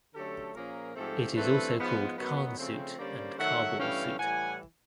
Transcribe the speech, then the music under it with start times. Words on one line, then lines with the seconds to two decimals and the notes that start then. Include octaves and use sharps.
It is also called Khan suit and Kabul suit.
0.15 D3 F#3 A3 C#4 G4 A4
0.55 A#2 F3 A#3 C#4 G#4 A#4
0.96 G#2 F3 A3 C4 G4 A4
1.36 G2 E3 A3 C4 A4 B4
1.76 G#2 F3 G#3 B3
2.18 F#2 D#3 F#3 B3
2.58 C#3 F3 A3 C4
2.98 D3 G3 A#3 C#4 C5 D5
3.39 D#3 F#3 A3 E5 F#5
3.79 G2 E3 A3 C#4 F5 G5
4.19 A2 E3 G3 F#5 G#5